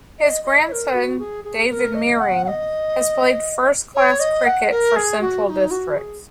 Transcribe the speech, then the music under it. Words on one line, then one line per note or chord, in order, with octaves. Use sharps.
His grandson, David Meiring, has played first-class cricket for Central Districts.
D#5
D#5
C#5
A#4
F#4
G#4
G#4
A#4
D#5
F#5
F#5
D#5
C#5
D#5
F#5
A#4
G#4
F#4
F#4
D#4
F#4
G#4